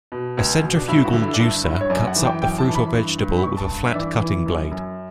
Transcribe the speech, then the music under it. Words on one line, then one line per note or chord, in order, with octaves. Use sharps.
A centrifugal juicer cuts up the fruit or vegetable with a flat cutting blade.
B2
C#2
B2
D4
G2 E4
E4
F#4
D3
E4
D4
G2 E4
G2 E4
C#5
F#2 D5
F#5
E3
G5
F#2 G5
A5
E3
B5
G2
G2
B5
G2 C#6
A5
G2
E5
E3 D5
E3
F#2
F#2